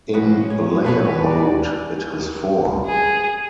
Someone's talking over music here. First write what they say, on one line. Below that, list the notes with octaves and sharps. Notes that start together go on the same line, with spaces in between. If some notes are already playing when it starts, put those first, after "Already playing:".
In Layer mode, it has four.
F3 C#4 F#4 G#4 B4
C#5
G#3 C#4 F#4 G#4 A4 B4 C#5
D5 G#5
G#4